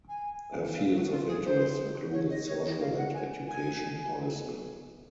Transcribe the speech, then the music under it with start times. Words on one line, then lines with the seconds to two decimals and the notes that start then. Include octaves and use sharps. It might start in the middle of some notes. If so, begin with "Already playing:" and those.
Her fields of interest included social and education policy.
0.09 G#5
0.77 F5
0.94 F#4
1.10 F4
1.27 G#4
1.45 C5
2.12 C#5
2.29 D#5
2.46 C#5
2.64 D#5
2.80 F5
2.97 F#5
3.14 G#5
3.48 G#5